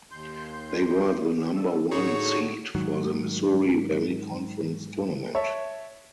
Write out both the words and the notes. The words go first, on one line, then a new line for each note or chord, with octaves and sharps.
They were the number one seed for the Missouri Valley Conference Tournament.
D#2 C6 G6
D3 A4
A2 D3 D#4 F#4 G#4 C#5
G#2 D#3 F#3
C#5 E5 A5